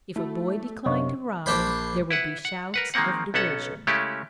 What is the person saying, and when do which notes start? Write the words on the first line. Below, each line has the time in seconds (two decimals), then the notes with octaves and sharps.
If a boy declined to ride, there would be shouts of derision.
0.16 A3 E4 F#4
0.86 F#2 C3 D4 C#5 D#5 F5 C#6
1.46 A#1 D4 C5 B5
2.11 E4 B4 F#5
2.45 F#5
2.74 A#4 B4 F#5
2.94 D#3 G#3 A#3 C4 F#5
3.34 B1 B3 C#4 A4 F#5
3.87 C#3 G#3 A3 C#4 E4 G4